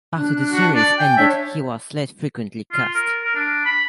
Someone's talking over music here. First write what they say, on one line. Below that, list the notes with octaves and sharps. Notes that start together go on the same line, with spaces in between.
After the series ended, he was less frequently cast.
D4 F#6
F#4
D5
G5 G#5
D4 C#5 D5 E5
F4
A#4
A#4
D4
B5